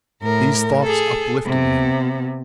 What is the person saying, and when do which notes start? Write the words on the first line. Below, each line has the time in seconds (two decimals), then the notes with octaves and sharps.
These thoughts uplifted him.
0.22 A2 A#4
0.83 G#4 A4
1.46 C3 B3